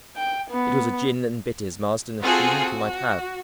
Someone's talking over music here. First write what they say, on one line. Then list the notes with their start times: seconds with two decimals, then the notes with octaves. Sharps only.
It was a gin and bitters Marsden assumed he might have.
0.17 G5
0.51 B3
2.20 C4 F4 F#4 G#4 A4
2.62 F#4